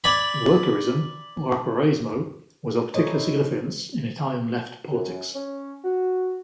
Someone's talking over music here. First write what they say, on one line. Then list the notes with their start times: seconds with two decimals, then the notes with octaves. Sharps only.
Workerism, or operaismo, was of particular significance in Italian left politics.
0.04 D5 G#5 B5
2.95 D#4 E4 A4 C5 C#5 D#5
4.92 F#2
5.35 C#4
5.83 F#4